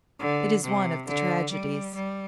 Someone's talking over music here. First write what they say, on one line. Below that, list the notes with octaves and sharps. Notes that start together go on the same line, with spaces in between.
It is one of the tragedies.
D3
C3
D3
G3
G3